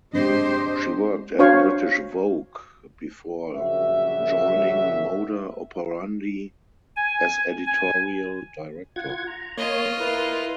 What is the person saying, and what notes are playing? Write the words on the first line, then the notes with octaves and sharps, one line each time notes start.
She worked at "British Vogue" before joining Moda Operandi as editorial director.
G#3 C4 D4 G4 C5 D#5
D4 F#4 C5 C#5 F5 C#6
A#1 F#2 C#3 G3 F#4 E5
G#5
G#5
F4 F#5 G#6
A#5
A#3 F4 C#5 D#5
E4 A#4 B4